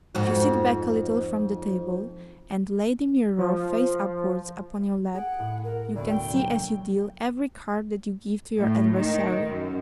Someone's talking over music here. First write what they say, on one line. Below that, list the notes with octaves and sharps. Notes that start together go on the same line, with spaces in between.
If you sit back a little from the table, and lay the mirror, face upwards, upon your lap, you can see, as you deal, every card that you give to your adversary.
F2 G#2 F#4
F3
G#4 F#5 D7
A2
A#4
D2 B2 B3 D5
G5
F#3 A#3
A2
D#3
F#2